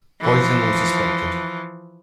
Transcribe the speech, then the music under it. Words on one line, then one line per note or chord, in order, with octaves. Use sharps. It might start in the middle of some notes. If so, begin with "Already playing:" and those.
Poisoning was suspected.
E3 F3